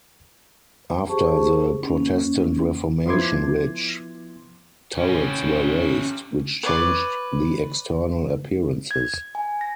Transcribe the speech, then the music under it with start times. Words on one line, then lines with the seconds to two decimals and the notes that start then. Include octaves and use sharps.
After the Protestant Reformation, ridge turrets were raised, which changed the external appearances.
1.09 G4 G#4 C5 A5 C#6
1.83 A#3 C#4
3.06 F3 B3 E4 C6 D6 G#6
4.98 C#4 G4
6.63 B4 C#5 D5 D6
8.91 G#6
9.35 G#5
9.61 A#6